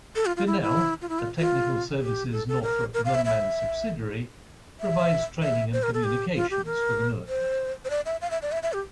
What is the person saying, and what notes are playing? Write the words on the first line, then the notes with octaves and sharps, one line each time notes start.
Vinnell, a Technical Services Northrop Grumman subsidiary, provides training and communications for the military.
A4
F4
F4
E4
E4
F4
E4
F4
F4
G4
A4
A4
A#4
A#4
F5
E5
E5
E5
E5
C5
A#4
A4
G4
F4
G4
A#4
C5
C5
D5
E5
F5
E5
D5
E5
E5
G4